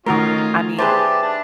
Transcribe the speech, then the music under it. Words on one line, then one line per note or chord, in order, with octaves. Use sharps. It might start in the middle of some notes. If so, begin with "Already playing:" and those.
I mean,
D#3 A3 C#4 F4 F#4 A#4 D#5
G4 G#4 B4 C5 D5 E5 A5
D4 A5